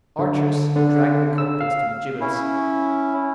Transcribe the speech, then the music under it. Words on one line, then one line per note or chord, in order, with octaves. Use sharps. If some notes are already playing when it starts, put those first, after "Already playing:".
The archers are dragging the culprits to the gibbets.
D3
D3
E6
F5
C#4 E4